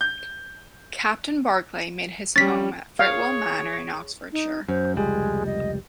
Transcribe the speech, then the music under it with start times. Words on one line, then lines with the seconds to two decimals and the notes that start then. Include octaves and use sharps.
Captain Barclay made his home at Fritwell Manor in Oxfordshire.
0.01 G6
2.36 G3 C#4 A6 B6
2.99 G#4 C#5 F5
4.32 D#4
4.69 F#2 C5
4.96 F1 C#2 G3 G#3
5.46 D#5